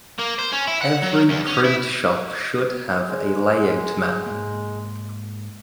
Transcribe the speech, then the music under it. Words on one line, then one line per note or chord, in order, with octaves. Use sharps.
Every print shop should have a layout man.
A#3
C5
C#4
E4
F#5
F#3
E2
C#4
E4
G#3
G#2 A#3